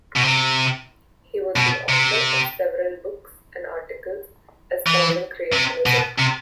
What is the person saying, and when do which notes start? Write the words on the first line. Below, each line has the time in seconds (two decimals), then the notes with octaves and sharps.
He was the author of several books and articles espousing creationism.
0.16 B2
0.24 C3
1.57 B2
1.89 C3
4.87 E3
5.53 C3
5.86 B2
6.18 C3